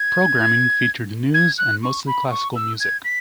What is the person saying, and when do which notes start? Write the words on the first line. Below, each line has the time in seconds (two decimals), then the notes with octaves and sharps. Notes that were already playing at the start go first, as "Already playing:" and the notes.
Programming featured news and mostly classical music.
Already playing: G#6
1.34 G#6
1.58 F#6
1.83 C#6
2.07 B5
2.31 C#6
2.56 E6
2.80 G#6
3.05 B6